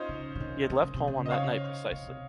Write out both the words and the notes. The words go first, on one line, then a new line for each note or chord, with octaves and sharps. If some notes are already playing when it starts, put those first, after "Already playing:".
He had left home on that night precisely.
Already playing: C#4 D#4 F4 C5 D#5
C#3
C#3
D#3
D#3
C#3
C3
C#3
D#5
C#5 F5
C#3
C3